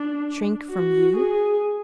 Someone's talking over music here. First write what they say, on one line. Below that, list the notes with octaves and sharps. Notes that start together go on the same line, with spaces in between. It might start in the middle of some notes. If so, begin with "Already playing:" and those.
"Shrink from YOU?"
Already playing: D4
F#4
G#4